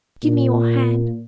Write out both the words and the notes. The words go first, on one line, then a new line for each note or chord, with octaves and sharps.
Give me your hand.
A#2